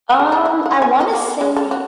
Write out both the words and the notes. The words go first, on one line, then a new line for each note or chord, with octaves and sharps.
Um, I wanna say
G#3
D4
F#4
F#5
G#5
D#5
A#3
B3
G#3
A4
F#4